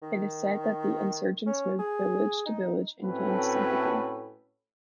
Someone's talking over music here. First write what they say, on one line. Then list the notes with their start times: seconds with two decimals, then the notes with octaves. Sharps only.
It is said that the insurgents moved village to village and gained sympathy.
0.02 D#3
1.47 C#4
1.79 G#4
2.46 D#4
3.03 A2 A3 C4 C#4 F#4 B4